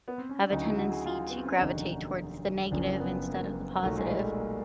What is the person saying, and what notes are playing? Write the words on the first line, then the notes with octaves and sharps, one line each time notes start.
have a tendency to gravitate towards the negative, instead of the positive,
B3
C4
C#4
D4
D2 C#3 F#3 D#4
E4
F#4
G#4
F4
B3
C4
C#4
D4
F1 D#2 D3 F#3 D#4
F#1 F#2 C#3 F3 D4
B3
A#3
B1 A#2 F#3 A3
G#3
G3
G#3
A3
A#3